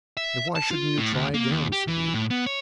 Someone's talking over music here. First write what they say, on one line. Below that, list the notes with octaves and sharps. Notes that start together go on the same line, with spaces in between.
"And why shouldn't you try again?" said Eames.
E5
A5
F4
A2
D2
A#3
D#2
G4
E3
A2
B3
C#5